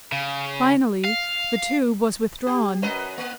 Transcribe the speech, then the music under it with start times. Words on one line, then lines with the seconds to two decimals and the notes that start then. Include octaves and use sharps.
Finally the tube was withdrawn.
0.12 C#3
1.05 F5
2.47 G4
2.82 F#2 B4 D#5
3.18 A#3